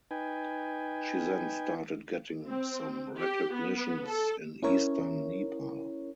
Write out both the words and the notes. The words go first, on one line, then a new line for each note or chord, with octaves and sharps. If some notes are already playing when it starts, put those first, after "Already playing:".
She then started getting some recognitions in eastern Nepal.
D#4 B4 G5 G#5
C4
G4
B3
A4
C#4 E4 A#4 C#5